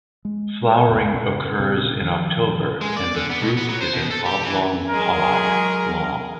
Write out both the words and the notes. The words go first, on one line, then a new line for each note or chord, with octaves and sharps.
Flowering occurs in October and the fruit is an oblong pod long.
G#3
C#2 F#2 A#2 C#3
C#3
A#2 C#3 C4
D#3 F3
G#3
D5
D3
B3
B2
B3
F#3
C5
B2
A4
G4
E3
F#3 G#3 G#4 A#4